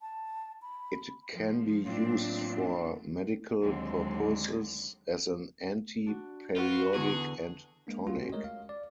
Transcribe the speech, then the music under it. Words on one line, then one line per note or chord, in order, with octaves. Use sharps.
It can be used for medical purposes as an anti-periodic and tonic.
A5
B5
F3
A2 F#3 A#3 C4 D4 E4 F4
D#2 D3 F#3 G#3 C4
D4 F#4
F4 F#4 B4
E2 D3 G#4
G#3 A#3 D4
G3 A3 C#4 F4 F#4 G#4
C#4 F#4 G4
G#3 A3 A#4 C#5 D#5
F5
D5